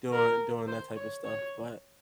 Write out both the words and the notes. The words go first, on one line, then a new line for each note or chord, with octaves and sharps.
doing doing that type of stuff, but
A#4
C5
C#5
C#5